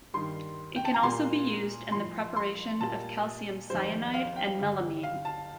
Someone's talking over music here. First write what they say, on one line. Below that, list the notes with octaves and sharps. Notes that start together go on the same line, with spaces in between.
It can also be used in the preparation of calcium cyanide and melamine.
G2 D#3 G3 C6
G5
A5
A#5
A#2 G3 C6
A2 F3 C6
C6
A#2 G3 A5
F2 D#3 G3 C5
F5
G5
G2 D3 G3
F5
A5